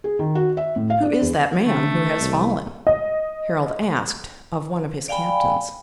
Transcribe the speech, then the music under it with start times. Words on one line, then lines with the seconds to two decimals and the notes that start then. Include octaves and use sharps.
'Who is that man who has fallen?' Harold asked of one of his captains.
0.04 G#4
0.19 D#3
0.35 F#4
0.57 E5
0.76 A2
0.90 F5
1.02 D4
1.21 E2
1.66 D3 A3
2.19 C2
2.87 D#5
5.08 D5 F5 G5 G#5 B5